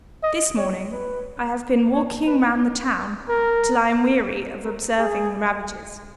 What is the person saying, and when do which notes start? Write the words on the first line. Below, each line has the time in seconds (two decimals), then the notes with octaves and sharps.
This morning I have been walking round the town, till I am weary of observing the ravages.
0.23 D#5
0.57 C#5
0.92 B4
1.93 C#5
2.26 B4
3.29 A#4
4.64 A#4
4.98 G#4